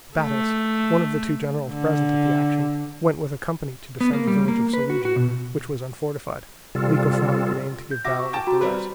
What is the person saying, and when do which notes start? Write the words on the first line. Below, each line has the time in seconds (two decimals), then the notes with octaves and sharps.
Battus, one of the two generals present at the action, went with a company to defend the village of Solygia, which was unfortified; Lycophron remaining to give battle with the rest.
0.17 A3
1.69 D3
4.01 B3
4.13 A#3
4.27 G3
4.48 A#3
4.74 B4
4.90 F#4
5.05 F#4
5.16 B2
6.75 C3 G3 F4 A4
7.91 G6
8.05 F#4 E5 D6 A#6
8.19 C#6
8.33 G5 A5
8.47 F#4 A#5
8.61 G3 C4 B4 A#5